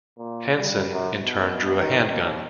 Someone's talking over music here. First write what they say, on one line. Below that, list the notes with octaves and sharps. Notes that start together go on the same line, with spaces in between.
Hanson in turn drew a handgun.
A#2
G3
F#2
B2
D#3
D#2